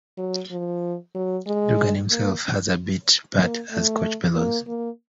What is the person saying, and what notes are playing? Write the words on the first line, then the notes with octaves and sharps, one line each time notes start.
Dugan himself has a bit part as Coach Bellows.
F#3
F3
F#3
G#3
A#3
A#3
A3
A#3
A#3